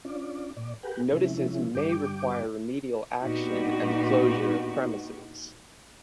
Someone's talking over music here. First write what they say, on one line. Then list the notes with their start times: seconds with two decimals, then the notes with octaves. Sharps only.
Notices may require remedial action and the closure of premises.
0.05 C#4 D4 F4 D5
0.57 A#2 D5
0.83 G4 G#4 A#4 B4 F#5 G5
1.12 C3 F3 G#3 C#4 E4
1.75 G2 D3 G3 G5 D6
3.21 A#2 B3 D4 D#4 F#4 G4